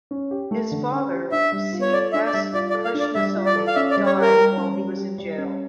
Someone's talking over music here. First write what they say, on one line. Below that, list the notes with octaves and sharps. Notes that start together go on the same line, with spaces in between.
His father C. S. Krishnasamy died while he was in jail.
C#4
G4
A3
D3
C#4
G4
D4 E5
G3
F4
C#5
A4 D5
D4 E5
D5
G3 E5
F4 D5
D5
A4
F5
D4
D5
G3 E5
F4
D5
A4
F5
C#4 E5
D5
G3
C#5
G4 A#4
G3
C#4
G3
G4
G3
C#4